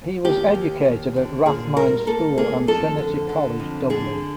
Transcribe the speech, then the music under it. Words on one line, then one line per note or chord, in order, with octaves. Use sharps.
He was educated at Rathmines School and Trinity College, Dublin.
D#2 G4
D#2
D#2
D3
A#2 G#4
G3 A#4
A#3 A4
A#3 G#4
F2 A4
D3
D3
F2
D3 G#4